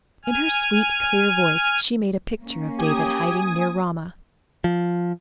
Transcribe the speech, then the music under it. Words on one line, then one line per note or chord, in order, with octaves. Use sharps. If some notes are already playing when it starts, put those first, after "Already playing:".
In her sweet, clear voice she made a picture of David hiding near Ramah.
G#5 F6
A#3 C#4
G4 G#5 D#6
F3